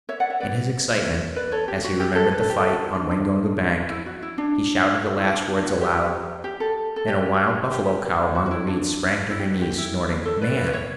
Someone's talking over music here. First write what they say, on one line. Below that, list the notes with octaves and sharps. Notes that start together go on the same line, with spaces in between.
In his excitement, as he remembered the fight on Waingunga bank, he shouted the last words aloud, and a wild buffalo-cow among the reeds sprang to her knees, snorting, "Man!"
C#5 E5
D5 F#5
C#5 E5
B4 D5
C#5 E5
B4 D5
A4 C#5
G4
F#4
G4
A4
B4
A4
G4
A4
D4
D4
E4
F#4
E4
D4
E4
D4
D4
F#4
G4
G4
A4
A4
G4
G4
F#4
F#4
E4
D4
E4
G4
F#4
G4
E4
A4 C#5
B4 D5
B4 D5
C#5 E5